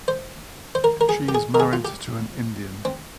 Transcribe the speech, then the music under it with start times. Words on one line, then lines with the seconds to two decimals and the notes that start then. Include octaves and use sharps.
She is married to an Indian.
0.08 C5
0.75 C5
0.84 A#4
1.01 A#4
1.09 G#4
1.29 G4
1.35 G#4
1.55 A#4
1.60 G#4
1.73 F4
1.85 G4
2.85 C4